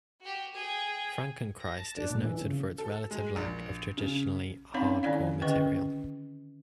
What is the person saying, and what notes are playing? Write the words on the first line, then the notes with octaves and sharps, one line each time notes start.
"Frankenchrist" is noted for its relative lack of traditionally 'hardcore' material.
F#4 G4
G#4 G5
A#6
A5
D4
A#2
E3
C#3
A4
G#3
A#1
C#3
C4 C#4 D#4 C#5 F5 B5
D#3 E4 D5 F5
D3 C#4 B4 D#5 C#6